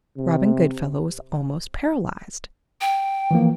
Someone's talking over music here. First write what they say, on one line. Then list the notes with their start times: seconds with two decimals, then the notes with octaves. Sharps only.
Robin Goodfellow was almost paralyzed.
0.17 C3
2.81 G5
3.31 E3 F3 A#3